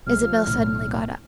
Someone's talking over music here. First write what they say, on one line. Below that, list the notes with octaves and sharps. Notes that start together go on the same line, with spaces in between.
Isabel suddenly got up.
C2 C3 G#3 F6
F3
B1 A2 D3